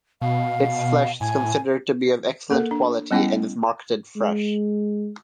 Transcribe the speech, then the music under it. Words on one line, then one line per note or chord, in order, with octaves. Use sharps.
Its flesh is considered to be of excellent quality and is marketed fresh.
B2 F5
A2 G#5
A#3 A4 A#4
D4
G3 B3 C#4 E4 F#5 G5
G#3